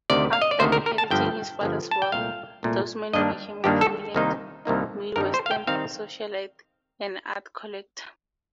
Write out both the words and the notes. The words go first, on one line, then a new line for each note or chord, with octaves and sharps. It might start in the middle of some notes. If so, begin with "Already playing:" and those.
After inheriting his father's wealth, Dousman became a prominent Midwestern socialite and art collector.
D2 C3 D#3 D5
F5
D#5
D5
D2 C3 D#3 C5
A#4
A#4
A5
G1 G2 F3 G5
G1 G2 F3
A5
G5
C2 A#2 A3 F5
C2 A#2 A3
G2 D#3 G3 A#3 D4 D#5
G2 D#3 G3 A#3 D4 G4
A4
C2 C3 D#3 A#3 D#4
C2 C3 D#3 A#3 D#4
G2 D#3 G3 C4 D#4 A#4
C5
F5
G5
D#3 G3 C4 D#4 F5